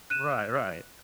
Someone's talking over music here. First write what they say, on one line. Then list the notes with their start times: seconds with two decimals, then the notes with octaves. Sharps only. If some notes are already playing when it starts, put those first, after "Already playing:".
Right, right.
0.10 F#6 D#7 E7